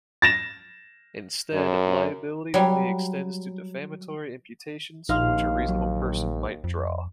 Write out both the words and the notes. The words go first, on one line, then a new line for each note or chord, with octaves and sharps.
Instead, liability only extends to defamatory imputations which a reasonable person might draw.
A6 A#6 E7
F#2
F#3 G3
A#1 D#2 D#4 F5 C6 F6
F#3
F2